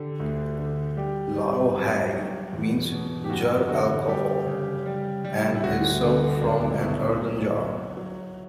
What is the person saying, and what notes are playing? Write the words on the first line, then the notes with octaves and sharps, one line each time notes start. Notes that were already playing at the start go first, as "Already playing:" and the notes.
"Lao hai" means "jar alcohol" and is served from an earthen jar.
Already playing: D3 G4
D2
D3
G3 G4
G3
F#3
F#3
E2
B2
G4
F#2 F#4
D3 F#4
G3 G4
C#3
G3
G3
E4
D2 F#4
D3
C#2 D4
B2 E4
F#3
F#3
F#3